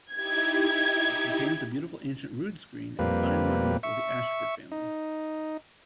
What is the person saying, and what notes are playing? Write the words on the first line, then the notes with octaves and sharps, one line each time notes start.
It contains a beautiful ancient rood-screen, and fine monuments of the Ayshford family.
D#4 E4 G4 G#6
F2 G3 A#3 B4
E5 C#6
D#4